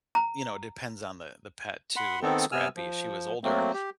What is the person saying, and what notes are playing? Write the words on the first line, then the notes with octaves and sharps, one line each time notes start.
you know, it depends on the the pet, too. Like, Scrappy, she was older,
A#5
F#5 B5 C6
D#3 B3 C4 A4
C3 B3 G#5 E6 F6
F3
F#3 A3 A#3 C4
G4